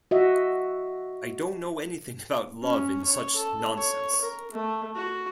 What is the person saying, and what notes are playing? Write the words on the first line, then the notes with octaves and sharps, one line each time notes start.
I don't know anything about love and such nonsense!
F#4 D#5 E5
C#4
C#5
A4
C#5
A#4
A3
F#4